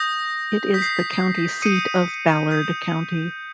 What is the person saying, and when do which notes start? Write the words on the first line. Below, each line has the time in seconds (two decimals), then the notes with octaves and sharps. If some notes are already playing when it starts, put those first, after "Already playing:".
It is the county seat of Ballard County.
Already playing: D#6 G6 A#6
0.74 D#6 G6 B6
0.82 C7
0.90 B6
1.62 D#6 G6 C#7 D#7
2.51 D#6 G6